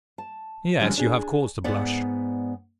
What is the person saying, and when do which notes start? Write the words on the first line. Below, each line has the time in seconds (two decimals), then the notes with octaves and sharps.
Yes; you have cause to blush.
0.18 A5
0.80 D3 F3 G3 G#3 C#4 D4
0.98 D4 G#4
1.64 G#2 B3 D5 F#5